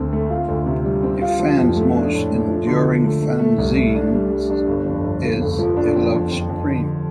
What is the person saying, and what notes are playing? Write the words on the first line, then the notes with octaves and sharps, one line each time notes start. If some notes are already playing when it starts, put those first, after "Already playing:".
The fans most enduring fanzines is "A Love Supreme".
Already playing: D2 D3 C4
A3
F4
D2
C3
G3
C4
F4
F3
F2
A3
D4
A2
A3
F3
D3
D3
A3
A3
A3
C2
A3
D4
G3
G3
D4
G1
F2
G1
G1
F1
F3
D4
F2
F2
F2
F2
D3